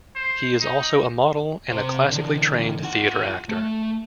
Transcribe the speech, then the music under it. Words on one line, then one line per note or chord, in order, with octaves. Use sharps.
He is also a model and a classically trained theater actor.
C5
D#4
C3 C5
D3 E3
F4 F#5
A3